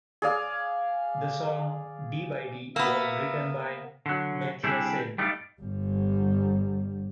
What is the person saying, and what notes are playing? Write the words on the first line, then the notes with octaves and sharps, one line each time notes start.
The song "D by D" was written by Mathiassen.
G#4 D5 F5
A#3 B3 E5
D3 F#3
C3 G3 D4 E4 G4 G#4
G3 A3 D#4 F4 D5
G1 G3